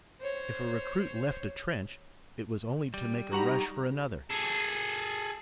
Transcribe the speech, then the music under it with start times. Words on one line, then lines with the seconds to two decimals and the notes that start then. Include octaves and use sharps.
If a recruit left a trench it was only to make a rush for another.
0.21 C5 C#5
2.94 G3
3.33 G3 D#4 F#4 G4 F#5 A#5 B5
4.30 G#4 A4